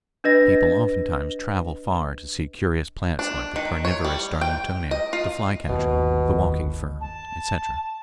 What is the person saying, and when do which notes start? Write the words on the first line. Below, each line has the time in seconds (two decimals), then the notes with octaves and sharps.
People oftentimes travel far to see curious plants like the carnivorous darlingtonia, the fly-catcher, the walking fern, etc.
0.24 D4 B4 D#5 A#6
3.19 D4
3.56 D#3
3.85 C#5
4.04 G3
4.41 G5
4.91 D#5
5.13 F4
5.69 G1 D#2 B2
7.00 A5